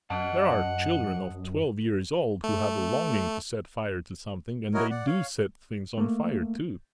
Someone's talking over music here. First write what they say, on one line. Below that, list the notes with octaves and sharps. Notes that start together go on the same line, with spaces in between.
There are children of twelve years old, who have a longing to set fire to something and they do set things on fire, too.
F#2 D#5 F#5 A5
A3
E4 F#4 A#4 C#5 D#5
D5 F#5
C#5 F5
A3 A#3